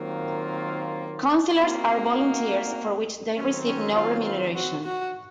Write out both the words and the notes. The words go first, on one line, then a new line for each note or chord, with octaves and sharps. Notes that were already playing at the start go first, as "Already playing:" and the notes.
Councillors are volunteers for which they receive no remuneration.
Already playing: D#3 F#3 A#3 C4 F4 A#4
A#3 C4 D#4 F#4
D#3 F#3 C4 C#4
C#4
F4
F4
F#4
F#4